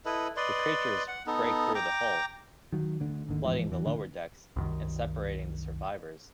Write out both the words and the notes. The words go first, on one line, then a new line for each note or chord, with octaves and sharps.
The creatures break through the hull, flooding the lower decks and separating the survivors.
E4 A4 B4 D#5
B4 D5 D#5 C6
F#5
B3 D#4 A4
G5 A#5 D6
D#3 F#3
D2 D3
G#1 D#2 D3 D#3
D1 G#2 E3 F3
E2 E3
D1 D2 D3 D4
C2 F#2 D#3